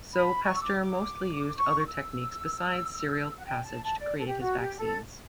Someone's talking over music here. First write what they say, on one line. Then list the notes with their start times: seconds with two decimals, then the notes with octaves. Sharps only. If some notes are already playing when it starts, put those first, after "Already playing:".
So, Pasteur mostly used other techniques besides serial passage to create his vaccines.
0.14 B5
0.43 C#6
0.55 E6
0.62 D6
0.81 D6
1.57 C#6
1.85 E6
3.38 F#5
3.46 G5
3.64 A5
3.84 A5
3.99 D5
4.19 A4
4.27 G4
4.41 F#4
4.59 G4
4.78 A4